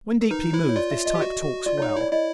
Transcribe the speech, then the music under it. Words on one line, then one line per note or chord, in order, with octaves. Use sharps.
When deeply moved this type talks well.
A#4
D#4 B4
E4 C5
C#5
F4 D5
E5
D#5
G4
F#4
F#4
F4 D5
C#5
D#4
C#5
E4 D5
E4 D#5